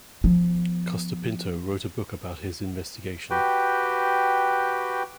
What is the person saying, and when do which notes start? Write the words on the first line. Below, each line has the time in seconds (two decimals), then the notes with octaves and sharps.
Costa Pinto wrote a book about his investigation.
0.24 F3 B3
3.31 F#4 G4 B4 G5